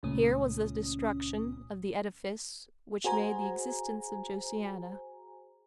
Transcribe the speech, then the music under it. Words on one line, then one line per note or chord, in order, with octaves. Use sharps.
Here was the destruction of the edifice which made the existence of Josiana.
C#2 A#2 A3 C#4 D#6
F#4 G#4 C5 G#5 A#5